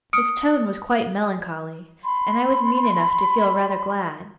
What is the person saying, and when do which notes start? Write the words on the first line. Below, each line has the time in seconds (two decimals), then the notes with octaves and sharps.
His tone was quite melancholy, and I was mean enough to feel rather glad.
0.13 D#6 F6 C#7 D7
2.03 B5 C6